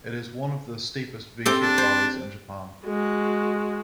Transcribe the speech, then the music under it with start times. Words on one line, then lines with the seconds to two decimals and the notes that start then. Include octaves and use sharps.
It is one of the steepest V-shaped valleys in Japan.
1.46 C4 G4 A4
1.62 D4
1.78 C5
2.85 G#3 F#4